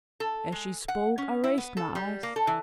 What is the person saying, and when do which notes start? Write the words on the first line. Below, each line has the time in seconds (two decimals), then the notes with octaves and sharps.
As she spoke I raised my eyes.
0.20 A4
0.52 G#3
0.88 F#5
1.18 C#4
1.44 E4
1.58 B3
1.77 A4
1.95 G3
2.23 A#3
2.36 A4
2.47 E3